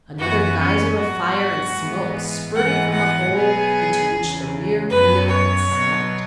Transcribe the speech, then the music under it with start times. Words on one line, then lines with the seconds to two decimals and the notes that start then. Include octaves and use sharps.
Another geyser of fire and smoke spurted from the hole into which the rear wheel had slumped.
0.18 F#2 E3 B3 F#4
0.58 C#4
0.97 G#2 F#3 B3 F#4
1.76 G#2 E3 G#3 B3
2.54 G#2 E3 G#3 B3 F#5
2.94 F#5
3.32 B2 F#3 B3 G#4
4.12 E2 C#3 E3
4.90 F#2 F#3 B3 B4
5.29 C#5
5.69 B2 F#3 B3